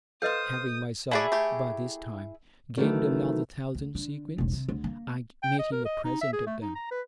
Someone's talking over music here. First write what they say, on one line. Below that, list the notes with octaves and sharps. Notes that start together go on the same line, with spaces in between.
Having myself by this time gained another thousand sequins, I made him a present of them.
A4 B4 C5 D#5 F5 D#6 G6
A3 E4 F#4 G#4 D5
A3 G4
D#3 E3 F#3 A3
D2
D3
E1 B1
C3
D2
A#3
G5
D#5
A#4
D#5
D#4
E5
G#4
A3
D#4
A#5
B4